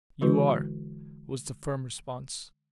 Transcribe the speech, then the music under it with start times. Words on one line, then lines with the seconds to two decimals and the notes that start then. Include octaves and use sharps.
"You are," was the firm response.
0.21 D3 E3 G#3 E4 F#4 B4